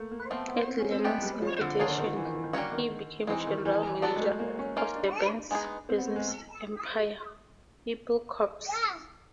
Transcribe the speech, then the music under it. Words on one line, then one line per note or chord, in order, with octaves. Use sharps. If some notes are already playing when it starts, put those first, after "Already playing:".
At Lennon's invitation, he became general manager of the band's business empire, Apple Corps.
Already playing: A3 A#3
A#3
F3 A3 B3 C4
B3
C4
C#4
C4
G#3 B3 D4 G4
G3
F3
D3
D#3 A#3 D4 F4 G#4
D3
D#3
F3
E3
D#3
E3
D#3
D3 G3 A#3 C#4 F#4
D#3
E3 G#3 C4 D#4
D#3
E3
E3
F#3 B3 D4 F#4 A4 D5
G#3
A3
A#3
C#4
A#3 C#4 D#4 F4
D4
G#3 B3 D#4 G#4
C4
B3
A3
G#3